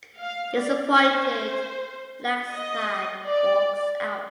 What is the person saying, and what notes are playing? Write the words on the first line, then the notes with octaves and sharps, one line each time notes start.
Disappointed, Blacksad walks out.
F5
D5
C5
D#5
D5